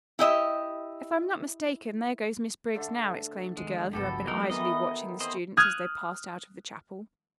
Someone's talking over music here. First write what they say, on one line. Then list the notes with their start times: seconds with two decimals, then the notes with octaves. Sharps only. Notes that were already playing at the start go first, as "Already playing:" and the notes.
"If I'm not mistaken, there goes Miss Briggs now!" exclaimed a girl who had been idly watching the students as they passed out of the chapel.
0.19 E4 G4 D#5 E5
2.75 D3 A3
3.57 E2 D#3 G#3
3.93 G1 C#2 B2 F3 F#4 G4 A4
4.27 E3 F#3 A3 D#4 A#4
4.50 D#3 E3 B3 D#5
5.20 C4 G#4 C5 D#5
5.57 D#6 F6 F#6 G#6